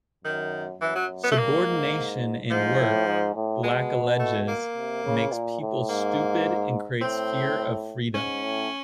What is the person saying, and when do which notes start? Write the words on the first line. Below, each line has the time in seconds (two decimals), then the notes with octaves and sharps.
Subordination in work, Black alleges, makes people stupid and creates fear of freedom.
0.24 F#2 D#3
0.81 F#2 E3
0.95 F#3
1.24 B3
1.32 A3
1.37 G2 A#3
1.66 G#2
2.50 G#2 F3
2.79 A2
3.06 G#2
3.35 A2
3.63 B2 G#3
4.19 A3
4.48 A#3
4.75 C3
5.04 C#3
5.32 A#2
5.61 A2
5.89 G#2 A#3
7.01 A2 C4
8.14 G#2 C#4
8.43 A2